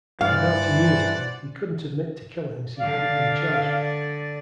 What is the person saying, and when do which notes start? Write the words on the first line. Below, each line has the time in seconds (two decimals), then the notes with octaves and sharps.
Without immunity, he couldn't admit to killings he hadn't been charged with.
0.21 G2 E3 C5 D5 F5 F#5
2.79 D3 D5 F5